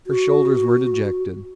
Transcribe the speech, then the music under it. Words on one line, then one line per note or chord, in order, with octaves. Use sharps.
Her shoulders were dejected.
F#4